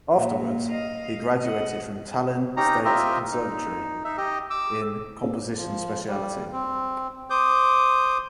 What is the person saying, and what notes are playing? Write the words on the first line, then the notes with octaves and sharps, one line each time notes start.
Afterwards he graduated from Tallinn State Conservatory in composition speciality.
A#2
D#5 F5
D#5 F#5
C#4 D#4 G4 A#5
C4 F4 G4 A#4 D#5 E5
D#4
D#4 E5
G4 D#5
D6 E6
F3
G3
C4
C5 D6 D#6 G6